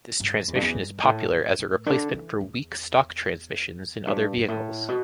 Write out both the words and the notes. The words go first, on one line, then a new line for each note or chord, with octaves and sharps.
This transmission is popular as a replacement for weak stock transmissions in other vehicles.
G2
E2
G2
E2
G2
A2
A2
A2
D3
E3
E2
G2
G2
A2
B2